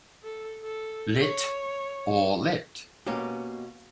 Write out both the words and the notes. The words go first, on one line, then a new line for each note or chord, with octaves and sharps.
Lit., or Lit.
A4
A4
C#5
B2 A#3 C#4 G4